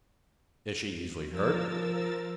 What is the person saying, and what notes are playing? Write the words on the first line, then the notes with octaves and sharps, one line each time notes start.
Is she easily hurt?
F3 A#4 E6 A6